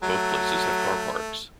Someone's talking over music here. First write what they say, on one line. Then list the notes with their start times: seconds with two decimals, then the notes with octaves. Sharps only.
Both places have car parks.
0.03 F#3 A3